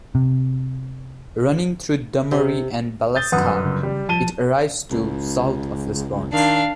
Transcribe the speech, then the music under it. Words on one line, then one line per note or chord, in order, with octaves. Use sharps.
Running through Dunmurry and Ballyskeagh it arrives to the south of Lisburn.
C3
C3
D#6 G6 A6 G7
G1 F#2 B4 F#5 D#6
C#3
G3
F3 A5 D#7 G7
C#2
D#3 D4 F5